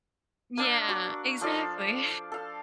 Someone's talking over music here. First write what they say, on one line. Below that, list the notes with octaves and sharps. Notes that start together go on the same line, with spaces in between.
Yeah, exactly.
A#3 D4 E6
F#4 D6
F3 A4 D5 F5
A4 F5